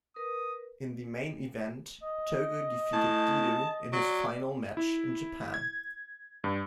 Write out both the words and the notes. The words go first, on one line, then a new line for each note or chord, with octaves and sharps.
In the main event Togo defeated Gedo in his final match in Japan.
A#4 B4 D#6
D#5
A2 A5
F#3 D5
E4
G#6
G2